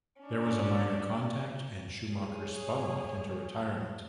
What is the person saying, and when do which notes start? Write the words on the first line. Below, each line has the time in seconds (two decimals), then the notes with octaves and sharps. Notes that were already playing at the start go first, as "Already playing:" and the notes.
There was minor contact and Schumacher spun off into retirement.
0.22 C#4 D4
2.12 G#4 C#5